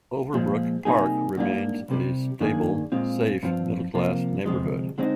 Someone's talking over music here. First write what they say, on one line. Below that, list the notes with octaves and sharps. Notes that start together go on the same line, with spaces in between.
Overbrook Park remains a stable, safe middle-class neighborhood.
A#2 F3 G#3
C3 G3 A#3 D#4 G#4
G#2 G3 A#3 D4 F4
C2 C3 G3
G2 D#3 A#3 D4 G#4
A#2 G#3 C4 F4
G2 F3 C4 F4
C3 F3 A#3
D2 C3 F3 G#3
D3 G#3 C4 D#4